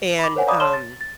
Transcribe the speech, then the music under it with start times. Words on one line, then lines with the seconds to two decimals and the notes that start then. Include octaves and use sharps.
and, um,
0.19 B5 D6
0.35 A#4 C5 C#5 F#5 G#5
0.47 D5 F5 A#5 B5 D6 D#6
0.60 C#5 A5 C6 F6 E7 G7
0.73 A6
1.01 A6